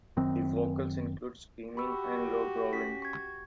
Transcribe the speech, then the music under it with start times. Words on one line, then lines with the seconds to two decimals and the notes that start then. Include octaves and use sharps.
The vocals include screaming and low growling.
0.17 F#1 F#2 D#3 C4
1.77 F#4 G4 B5 C#6 E6
2.73 C#4 B6
3.02 C#6 G#6